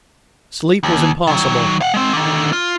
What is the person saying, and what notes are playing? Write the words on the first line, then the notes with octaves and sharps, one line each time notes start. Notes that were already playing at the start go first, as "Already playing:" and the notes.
Sleep was impossible.
D#2
D#3 F#3
F5 F#5
G#3 C4
D3 D#3
F4